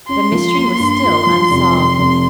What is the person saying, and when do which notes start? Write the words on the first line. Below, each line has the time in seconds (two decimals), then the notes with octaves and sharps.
The mystery was still unsolved.
0.09 C#4 C6
0.32 F3
0.56 A#3
0.80 G2
1.03 F4
1.27 F3
1.51 F1
1.75 F1
1.99 F1